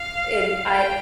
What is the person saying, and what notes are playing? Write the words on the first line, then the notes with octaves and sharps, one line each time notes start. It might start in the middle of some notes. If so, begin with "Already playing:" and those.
and I
Already playing: F5
G#3 G5